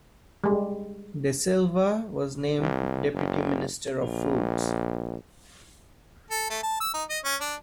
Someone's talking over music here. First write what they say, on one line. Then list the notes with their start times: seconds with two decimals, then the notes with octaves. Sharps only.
De Silva was named deputy minister of foods.
0.44 G3 G#3
2.60 C2
3.14 F#1
3.98 A#1
6.31 A4
6.50 A3
6.63 A5
6.81 E6
6.94 D#4
7.10 D#5
7.25 C#4
7.41 D4